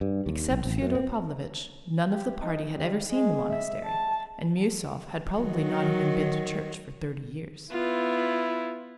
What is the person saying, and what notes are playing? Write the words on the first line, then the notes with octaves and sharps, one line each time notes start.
Except Fyodor Pavlovitch, none of the party had ever seen the monastery, and Miuesov had probably not even been to church for thirty years.
G2
D#2
B1
A1
F#2
C4
G4
D#4
G3
G#3
E5
A5
D#3 F#3
B3 E4 F4